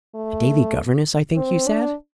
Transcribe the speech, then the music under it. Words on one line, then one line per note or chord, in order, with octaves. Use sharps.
"A daily governess, I think you said?"
A3
C4
D4